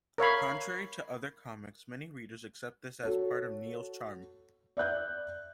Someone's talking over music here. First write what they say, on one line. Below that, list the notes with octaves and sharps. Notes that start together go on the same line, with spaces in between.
Contrary to other comics, many readers accept this as part of "Nero"'s charm.
A#4 C#5 F5 B5
F#4 A4 C#5
D5 E5 F#6 G6